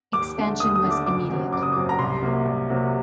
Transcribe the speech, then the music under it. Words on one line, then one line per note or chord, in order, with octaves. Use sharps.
Expansion was immediate.
D#2 D6
D3 A3 D4
D#2 D#6
D#6
D3 A3 D4
D6
F#1 D6
F#2 F#3 C4
F#1 D6
D#6
F#2 F#3 C4 D6
A#5
C2 C6
C3 F#3 A#3
C2
C3 F#3 A#3